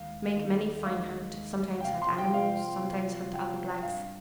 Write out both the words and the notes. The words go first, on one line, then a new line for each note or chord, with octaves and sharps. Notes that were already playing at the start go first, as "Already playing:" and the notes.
Make many fine hunt, sometimes hunt animals, sometimes hunt other Blacks.
Already playing: D#2 D#3 G#3 F5
D#2 D#3 G#3
D#2 D#3 G#3 F5
D#2 D#3 G#3
G5
C3 F3 C4 F4 F5
C6
G5
C3 F3 C4 F4 F5
C3 F3 C4 F4
C3 F3 C4 F4 G5
G#2 G3 D4 F5